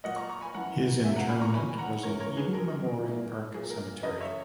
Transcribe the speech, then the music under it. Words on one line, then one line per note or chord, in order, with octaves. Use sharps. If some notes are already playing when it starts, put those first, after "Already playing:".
His interment was in Eden Memorial Park Cemetery.
A#2 F#3 D#5 F#5
A#5 C#6
A#5 C#6
G#5 B5
F#2 E3 F#5 A#5
E2 C#3 F#3 E5 G#5
F#5 A#5
G#5 B5
A#5 C#6
G#2 D#3 F#3 G#5 B5
G#5
F#5 A#5
E2 C#3 E3 A#4 C#5
A#4 C#5
G#4 B4
F#2 D#3 F#3 A#4
G#2 E3
A#2 F#3 G#4
A#4
E2 C#3 F#3 B4 D#5
C#5 E5